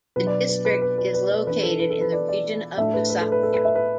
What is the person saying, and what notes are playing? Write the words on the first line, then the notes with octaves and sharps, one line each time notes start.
The district is located in the region of Lusatia.
B2 F#3 B3 D4 B4
D5
B4
B4
B4
B4
B4
B4
E3 D4 B4
A4
B4
A4
B4
D5
D5
A2 A3 D4 E5
B4
B4
A4
B4
A4
B4
E5
B4